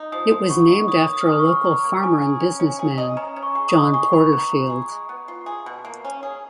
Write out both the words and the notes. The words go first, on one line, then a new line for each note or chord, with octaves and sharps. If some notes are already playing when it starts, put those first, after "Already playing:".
It was named after a local farmer and businessman, John Porterfield.
Already playing: D#4
F3 D#6
F3
B3 C#6
D#4
C#5 D#6
A#3
D#6
F6
C#4 D#6
C#6
G#4
C#5 A#5
A#3
C#4 G#5
G#4
C#4
C#4
G#4
D#5
C#4 A#5
C#4
C#6
G#4
D#6
D#5
G#4 C#6
G#3 B5
B3 A#5
F4
G#4
G#3
B3
F4
G#4
B2
A#3
C#4
G#4